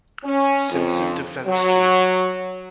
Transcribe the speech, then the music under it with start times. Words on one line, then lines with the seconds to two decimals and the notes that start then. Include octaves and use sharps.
Simpson defense team.
0.24 C#4
0.71 F2
1.47 F#3